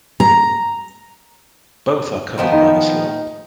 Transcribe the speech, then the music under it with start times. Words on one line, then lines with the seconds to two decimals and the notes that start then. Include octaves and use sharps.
Both are covered by this law.
0.20 A#5
2.38 D#3 F3 B3
2.52 D#4